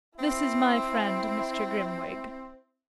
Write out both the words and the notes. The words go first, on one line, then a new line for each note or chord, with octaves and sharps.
'This is my friend, Mr. Grimwig.
C4 E4